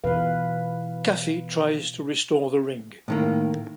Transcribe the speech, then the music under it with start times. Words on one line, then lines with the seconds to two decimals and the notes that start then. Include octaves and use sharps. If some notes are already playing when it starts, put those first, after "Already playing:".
Caffey tries to restore the ring.
0.04 B2 E3 B4 F5
3.08 A2 D#3 A#3